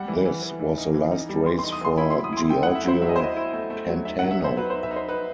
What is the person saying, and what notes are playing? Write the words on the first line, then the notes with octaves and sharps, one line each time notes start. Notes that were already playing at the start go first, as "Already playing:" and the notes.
This was the last race for Giorgio Pantano.
Already playing: G3 F#5
E3
E3
E3
E3
D#4
E3
D#4
G3
E3 C6
D#4 C6
D#6
E3 C6
E4 B5
F#3 C6
D#6
E4 C6
A3 G5
E4 F#5
E5
F#3 C5
F#3 E5
D#5
C5
E4 D#5
E4
A3
A3
F#3
D#4 E5
F#3 F#5
E5
D#4 C5
F#3 B4
D#4 C5
E5
D#4
C5
D#4 B4